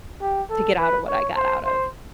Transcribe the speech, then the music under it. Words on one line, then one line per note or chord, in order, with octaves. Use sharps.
to get outta what I got out of,
G4
A4
B4
C#5
C5
C5